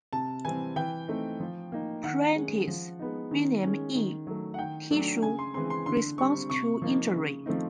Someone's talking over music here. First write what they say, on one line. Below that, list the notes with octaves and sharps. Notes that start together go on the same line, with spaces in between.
Prentice, William E. Tissue Response to Injury.
C3 A5
E3 G3 C4 G#5
E3 G5
A3 C4 D#4
F3
A#3 D#4
D#3 F#5
G#3 C#4
F3
G#3 B3 D#4
D#3
G#3 C#4
D#3
F#3 A3
F#5
D#3 G5
F#3 A3 D4
C#3 G#5
C6
E3 G#3 C4 C6
C6
D3 C6
G3 C4 C#6
C3 C#6
F3 A#3 D#4
C#3
F3 A3 C4 D#4